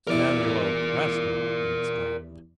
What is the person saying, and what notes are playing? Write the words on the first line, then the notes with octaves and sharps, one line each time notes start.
"Samuel Prescott!" he exclaimed.
E2 G2 E3 A#4 D5